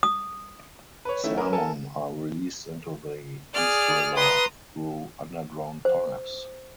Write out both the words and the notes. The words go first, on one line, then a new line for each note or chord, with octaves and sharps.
Salmon are released into the East River through underground pipes.
D#6
B4 C#5
D#3 A3 C#4 E4
C#4 A#4 B4
A4 A#4 G#5 A5
G#4 D5 F6
B4 A#5 C6 D#6
C5